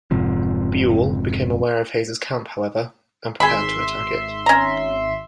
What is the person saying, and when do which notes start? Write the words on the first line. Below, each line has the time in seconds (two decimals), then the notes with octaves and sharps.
Buel became aware of Hays's camp, however, and prepared to attack it.
0.11 F1 G#2 C3 F3
3.40 G#1 G#4 E5 B5 C6
4.46 C#4 A#5